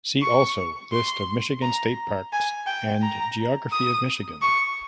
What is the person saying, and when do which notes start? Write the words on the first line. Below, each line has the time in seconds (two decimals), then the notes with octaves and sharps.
"See also" List of Michigan state parks and geography of Michigan.
0.22 C#6
0.92 C6
1.62 A#5
2.33 G#5
2.67 G5
3.02 A#5
3.72 D#6
4.42 C#6